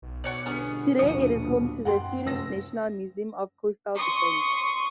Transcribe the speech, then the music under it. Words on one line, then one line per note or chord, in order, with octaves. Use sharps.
Today, it is home to the Swedish National Museum of Coastal Defence.
B1
B2 F#4 C#5 D5
G1 B3 C#4 G#4
D#1 A#1 B2 D#6 C#7
F#2 F#5 G5 C6
F1 C#2 E6 A#6
C6 C#6 D#6